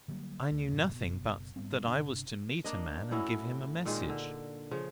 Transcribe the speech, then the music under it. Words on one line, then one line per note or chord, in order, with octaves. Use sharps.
"I knew nothing but that I was to meet a man and give him a message."
D3 F#3 G3 A#3
D2
F#2 A2 C3 F#3
F#1 B2
G#2 G3 B3 C4
G1 C3 D4
A#3 D4 D#5
A2 C#4 E4 F#4
A#2 D#3 G#3
D3
C#3 F3